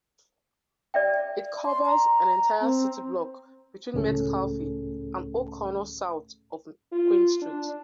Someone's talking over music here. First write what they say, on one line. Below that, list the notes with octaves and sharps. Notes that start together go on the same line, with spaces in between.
It covers an entire city block between Metcalfe and O'Connor south of Queen Street.
D5 E5 G5
C6
A#5
C4
C#2 A2 A3 C#4 G#4 A4
F4
D4